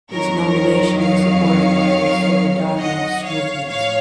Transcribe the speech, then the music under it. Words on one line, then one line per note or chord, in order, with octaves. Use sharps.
His nomination was supported by the Solidarnost movement.
F2 D#3 F#3 A#4 C#5
C#5 F5
D#5 F#5
C#5 F5
A2 F3 C#5 F5